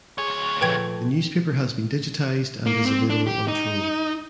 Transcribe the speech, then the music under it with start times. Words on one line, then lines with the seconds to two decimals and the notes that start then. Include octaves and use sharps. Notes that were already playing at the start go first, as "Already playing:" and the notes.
The newspaper has been digitised and is available on Trove.
0.18 D2 G#4 C#5
0.61 A#2 F3 A3 B4 G5 G#6
2.66 A#3
2.86 C4
3.10 D4
3.27 G4
3.48 D#4